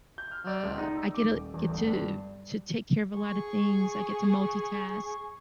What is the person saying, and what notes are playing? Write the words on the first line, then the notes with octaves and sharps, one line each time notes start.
Uh, I get, uh, get to to take care of a lot of things. I get to multitask
G6
F6
D5
C#2
D#4
E6
D6
D#1
E2
G1
G2
G#4 C#6